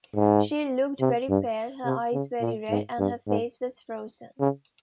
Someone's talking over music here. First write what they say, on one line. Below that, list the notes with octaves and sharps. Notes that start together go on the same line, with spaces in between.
She looked very pale, her eyes very red and her face was "frozen".
G#2
C3
G2
C3
C#3
A#2
G#2
G2
G#2
C#3